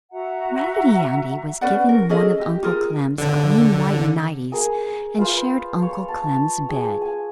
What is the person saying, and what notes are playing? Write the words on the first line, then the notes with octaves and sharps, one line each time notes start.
Raggedy Andy was given one of Uncle Clem's clean white nighties and shared Uncle Clem's bed.
F#4 E5 F#5 A#5
C#4 B4 D5 F#5
A#4
C#4 G#4 A4 D#5
G4
F4 G#4 A#4
D3
G#4 A#4 G#5
F4 B4 C5 F5
C#5
A5
G#4
G#5